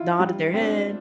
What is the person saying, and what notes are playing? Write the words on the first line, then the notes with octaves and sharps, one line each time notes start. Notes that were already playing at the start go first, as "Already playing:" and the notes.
Nodded their head.
Already playing: E4 F4
G3
C4
D4